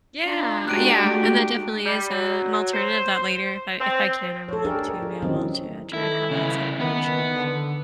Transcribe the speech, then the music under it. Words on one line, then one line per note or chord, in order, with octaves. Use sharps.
Yeah, yeah. And that definitely is a an alternative that later if I if I can, I would love to be able to try and have that separation.
D4 D#4 F4
G#3 A3 F#4 G4 F#6 D7 D#7
G3
F#3
C5
C4
A4 C#5
D4 G4 G#4 A#4 C#5
A#4
F4
D#3 E3 F#3 C4 C#4 D#4
D#3 E3 E4 A4
C#3 E4
D#3 E3 B3 B4
D3